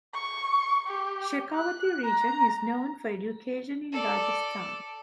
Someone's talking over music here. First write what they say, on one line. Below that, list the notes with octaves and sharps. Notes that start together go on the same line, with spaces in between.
Shekhawati region is known for education in Rajasthan.
C#6
G4
F#6
A#5
A4 D5